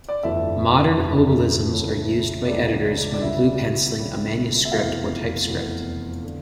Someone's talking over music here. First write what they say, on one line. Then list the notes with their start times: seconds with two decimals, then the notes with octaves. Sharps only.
Modern obelisms are used by editors when blue-penciling a manuscript or typescript.
0.09 D5
0.23 G1 F2 E3 A3 E5
0.98 G1 F2 E3 A3
1.72 C#2 C#3 E3 A3
2.47 C#2 C#3 E3 A3 D5
3.14 D5
3.22 C#2 C#3 G3 E5
3.98 C#2 C#3 G3
4.65 E5
4.72 F1 E2 E3 A3 F5
5.47 F1 E2 E3 A3
6.24 D3